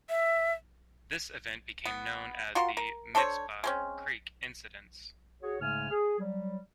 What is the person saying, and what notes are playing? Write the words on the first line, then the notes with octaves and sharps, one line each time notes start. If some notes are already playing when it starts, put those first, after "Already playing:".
This event became known as the Mizpah Creek incidents.
E5
B3
F4 F#4 A#4 C6
A#4
D4 A4 C5 C#5
G#3 C4 C#4
F#4 G#4 C#5
G#2 C#3 G#3 A3 G#5 F6
G#4
F#3 G3